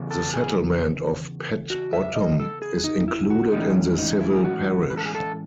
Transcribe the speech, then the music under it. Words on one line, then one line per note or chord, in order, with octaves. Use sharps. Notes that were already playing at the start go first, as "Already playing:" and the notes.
The settlement of Pett Bottom is included in the civil parish.
Already playing: E2 C#3
A4
G#4
F#4
E5
D#5
A4
G#4
D#4
E4
F#4
A2 E3 G#3 C#4 D#4
D#4
E4
G#4
F#4
B4
A4
G#4
A4